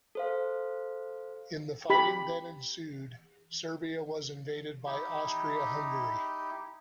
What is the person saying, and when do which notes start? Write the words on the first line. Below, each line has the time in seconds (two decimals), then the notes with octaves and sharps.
In the fighting that ensued, Serbia was invaded by Austria-Hungary.
0.15 A4 C5 F5
1.90 G4 B5
4.86 D#4 E4 G4